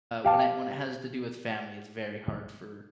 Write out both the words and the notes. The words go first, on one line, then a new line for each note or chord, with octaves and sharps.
when it when it has to do with family, it's very hard for,
G4 F5 A5